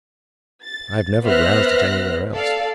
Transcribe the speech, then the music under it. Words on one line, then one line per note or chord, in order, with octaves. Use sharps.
I have never roused it anywhere else.
A6
B3 C5 E5 F6 F#6 A#6
A4 D5 F5